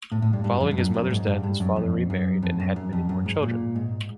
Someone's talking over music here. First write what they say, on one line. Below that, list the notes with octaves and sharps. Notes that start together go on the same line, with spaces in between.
Following his mother's death, his father remarried and had many more children.
A2
A2
G2
G2
F2
G2
F#2
F#2
G#2
G2
G2
F#2
F2
F#2
F2
F#2
F#2
F2
F#2
G#2
A#2
G#2